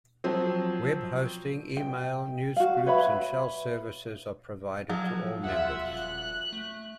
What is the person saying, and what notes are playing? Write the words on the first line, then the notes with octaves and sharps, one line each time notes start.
Web hosting, email, newsgroups, and shell services are provided to all members.
F3 F#3 C4
G5
F#4 F5
B4 C#5 E5 B5
F3 F#3 G#4
D#2 F4 E5 F#5
D#1 F#6
A3